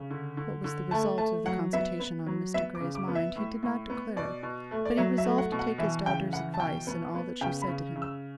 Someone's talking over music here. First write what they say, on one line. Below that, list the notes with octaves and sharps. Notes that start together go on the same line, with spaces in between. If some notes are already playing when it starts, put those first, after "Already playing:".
What was the result of the consultation on Mr. Grey's mind he did not declare, but he resolved to take his daughter's advice in all that she said to him.
Already playing: C#3
D3
D3
D3
A3 A5
A3 A5
F#3 F#5
B3 E5
B3
F#3
B3 E5
D6
C#3
D6
B3
E5
A2
A2
B3
B2 D5
B2
A3
D5
F#3 E5
E5
A3
F#5
B2
F#5
E3 E5
C#3 G5
E3 F#5
A5
B2 G5
B3
B3
C#3 G5
B5
C#3
C#3
E6